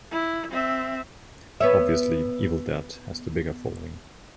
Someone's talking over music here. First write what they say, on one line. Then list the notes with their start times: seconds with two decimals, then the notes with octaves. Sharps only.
Obviously "Evil Dead" has the bigger following.
0.11 E4
0.52 C4 E5
1.61 B3 C#5 E5